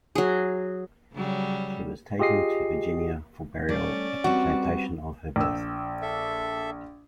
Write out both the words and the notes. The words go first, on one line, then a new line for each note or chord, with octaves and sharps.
She was taken to Virginia for burial at the plantation of her birth.
F#3 G#4
C#3 F#3 G3
F4 G4 G#4 D#5 D#6 C7
G3 A3 C#4 D5
G3 C4 F#4 B4
A#1 E6
A4 E5